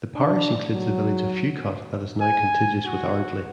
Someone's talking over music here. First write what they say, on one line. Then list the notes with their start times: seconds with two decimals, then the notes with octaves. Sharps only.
The parish includes the village of Fewcott that is now contiguous with Ardley.
0.16 D4
0.73 F#3
2.21 G#5
2.85 F#4